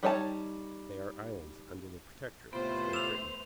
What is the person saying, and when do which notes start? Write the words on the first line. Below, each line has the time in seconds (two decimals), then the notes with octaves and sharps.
"They are islands under the Protectorate of Great Britain."
0.03 G3 D#4 C#5 G5 A5
2.53 A2 C3 A3 B3 F4 B4 C5
2.93 D6 E6 F6 E7 F7